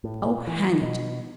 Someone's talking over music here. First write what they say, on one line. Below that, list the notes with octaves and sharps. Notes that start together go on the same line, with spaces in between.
Oh, hang it!
A2
A#2
E3
B2